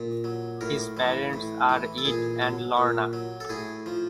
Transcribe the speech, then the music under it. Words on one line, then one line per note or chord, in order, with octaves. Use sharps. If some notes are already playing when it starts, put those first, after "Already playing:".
His parents are Ed and Lorna.
Already playing: A#2
F#3
A2 A#4
E3
A2
E3
A4
A#2 G#4
F#3
A#2
F#3
A4
A2 G#4
F3